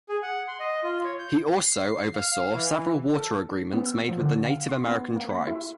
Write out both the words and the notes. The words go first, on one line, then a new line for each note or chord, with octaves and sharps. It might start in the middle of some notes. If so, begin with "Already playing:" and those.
He also oversaw several water agreements made with Native American tribes.
G#4
F#5
C6
D#5
F4
C#5
G6
C7
F5
E3
A4
B3
E6
F3
D3
F5
C6
B3
A#3
B5
E4